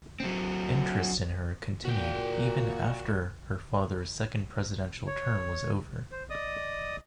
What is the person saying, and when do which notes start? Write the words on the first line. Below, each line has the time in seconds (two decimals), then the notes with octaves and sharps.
Interest in her continued even after her father's second presidential term was over.
0.20 F#3 C4
1.85 A#2 F#4 G5
5.07 C#5
6.12 C5
6.30 D5 D#5 D#6